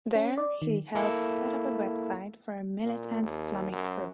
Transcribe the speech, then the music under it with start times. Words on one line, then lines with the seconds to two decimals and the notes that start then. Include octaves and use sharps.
There he helped set up a website for a militant Islamic group.
0.15 C#4
0.38 D5
0.62 D#3
0.95 A#3 E4 A4
2.85 A#2
3.23 D#2
3.72 F#2